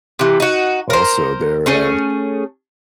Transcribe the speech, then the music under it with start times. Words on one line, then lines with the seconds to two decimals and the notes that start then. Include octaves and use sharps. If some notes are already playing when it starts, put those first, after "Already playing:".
Also, they're, uh
0.19 C3 E3
0.40 D#4 F#4
0.90 A#4 C5
1.66 A3 C#4 G#4